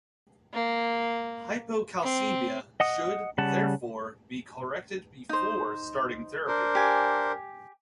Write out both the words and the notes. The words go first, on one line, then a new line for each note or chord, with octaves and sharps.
Hypocalcemia should, therefore, be corrected before starting therapy.
A#3
C4
D#5 F#5 D#6
C#3 G3 F#5 A5
D#4 C5
D4 A#4 C5
G4 G#5